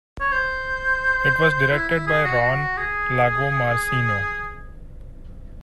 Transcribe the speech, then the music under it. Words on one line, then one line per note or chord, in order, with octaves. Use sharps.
It was directed by Ron Lagomarsino.
C#5
C5
E4
E4
G#4
F#4
F#4
G#4